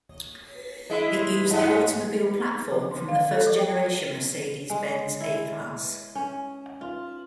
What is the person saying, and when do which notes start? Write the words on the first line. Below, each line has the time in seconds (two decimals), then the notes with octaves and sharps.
It used the automobile platform from the first generation Mercedes-Benz A-Class.
0.90 G#3 E4
1.50 G2
2.72 F3
2.91 C6
3.08 F5
3.31 A4
3.46 F3
3.59 G5
4.70 G#3
5.21 E4
6.15 C#4
6.81 F4